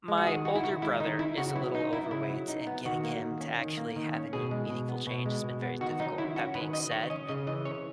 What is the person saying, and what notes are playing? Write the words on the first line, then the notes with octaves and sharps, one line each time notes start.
my older brother is a little overweight, and getting him to actually have any meaningful change has been very difficult, that being said,
G#3
F#4
D#3 G#4
D#4 F#4
E4
D#3 F#4
G#3 E4
D#3 D#4
D#4 E4
C#3 F#4
F#3 E4
D#4
B3 E4
C#3 E4
F#3
D#4
B3
D#3 F#4
A#3
D#3
C#4
D#3
A#3
D#3
C#4
B2 G#4
G#3
B2
B3
B2
G#3
B2
B3
D#3 F#4
F#3 D#4
D#3 E4
C#4 F#4
D#3 B4
F#3 D#5
D#3 C#5
C#4 D#5
C#3 D#5
E3 D#5
C#4 C#5